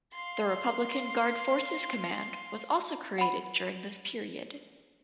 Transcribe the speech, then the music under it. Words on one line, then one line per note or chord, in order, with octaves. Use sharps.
The Republican Guard Forces Command was also created during this period.
F5 C6
F#5 B5